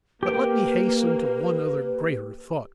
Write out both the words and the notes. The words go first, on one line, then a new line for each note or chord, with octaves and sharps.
But let me hasten to one other greater thought.
A#3 G4 B4 G5